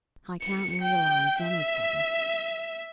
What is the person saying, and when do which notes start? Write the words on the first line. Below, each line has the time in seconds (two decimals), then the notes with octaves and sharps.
I can't realise anything.
0.43 C#7
0.82 G5
1.41 E5